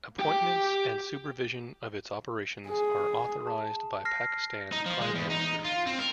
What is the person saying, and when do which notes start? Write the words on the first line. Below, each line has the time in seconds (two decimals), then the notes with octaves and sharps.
Appointments and supervision of its operations are authorized by Pakistan's Prime Minister.
0.19 G4 G5
2.68 G#4
3.47 A5
4.05 F6 A#6 C7
4.72 D#4
4.86 F3
5.01 G#3
5.15 E2
5.30 D#4
5.64 F4
5.86 C4
5.98 A#4